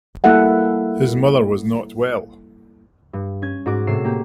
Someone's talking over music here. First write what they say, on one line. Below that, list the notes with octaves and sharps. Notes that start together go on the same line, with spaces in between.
His mother was not well.
G3 A#3 E4 A4 E5 F#5
G2
C#4 G#6
G#2 F#4 D6
A2 C3 C#5 C7 E7
A#3 G4